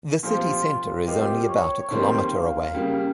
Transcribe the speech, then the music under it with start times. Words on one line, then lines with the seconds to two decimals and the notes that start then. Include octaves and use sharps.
The city center is only about a kilometer away.
0.23 A#2 F3 C4 F4 G4 C5
1.06 G3 C4 F4 G4 A#4 D#5
1.48 C#5
1.90 F2 D#3 G3 A#3 C5
2.32 F5
2.73 C#3 G3 A#3